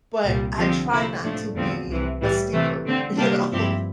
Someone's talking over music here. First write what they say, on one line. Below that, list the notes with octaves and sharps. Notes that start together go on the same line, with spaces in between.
but I try not to be a steeper, you know,
C2 A#2 G3
D3 F3 C4 G4
C3 F3 A3 E4
A2 F3 A3 D4
E2 D3 F3 A3 C4
C2 C3 E3
A2 E3 G3
C3 E3 A3
D3 A3 C4
C3 G3 A#3 D4 G4
G2 F3 C4 E4 G4